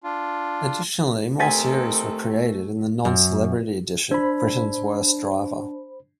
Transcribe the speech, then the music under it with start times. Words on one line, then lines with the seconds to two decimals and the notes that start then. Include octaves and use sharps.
Additionally, more series were created in the non-celebrity edition, Britain's Worst Driver.
0.04 D4 F4
1.40 C3 D#3 A3 A4 G#5 A6 B6
3.05 F#2
4.11 D4 C5 B5